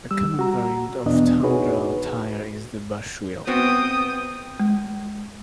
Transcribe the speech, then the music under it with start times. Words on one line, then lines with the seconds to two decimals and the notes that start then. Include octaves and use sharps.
A common variant of tundra tire is the bushwheel.
0.11 G3 E6
0.39 F#4 A#5
1.06 E2 B2 B3 D4 D#5
1.43 D#4 F#4 G#4 B4 C#5
3.47 B3 C4 F#4 G5 D#6
4.60 G#3